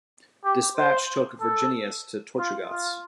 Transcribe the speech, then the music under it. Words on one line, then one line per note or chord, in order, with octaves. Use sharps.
"Despatch" took "Virginius" to Tortugas.
G4
C5
A4
F4
F4